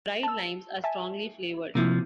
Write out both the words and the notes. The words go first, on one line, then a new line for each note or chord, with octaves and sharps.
Dried limes are strongly flavored.
A5 E6
E5 G#5 A5
C3 F3 A#3 E4